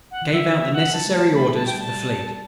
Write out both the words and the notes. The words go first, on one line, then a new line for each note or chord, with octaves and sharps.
Gave out the necessary orders for the Fleet.
F#5
E3 F#5
F#3 E5
F#5
A5
A3
G3 A5
A3 B5
G3 A5
G5
G3 A5
G3